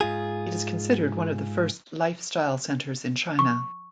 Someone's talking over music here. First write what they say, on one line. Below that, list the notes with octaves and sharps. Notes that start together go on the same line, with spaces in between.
It is considered one of the first lifestyle centers in China.
G#2 F4 G#4
C#6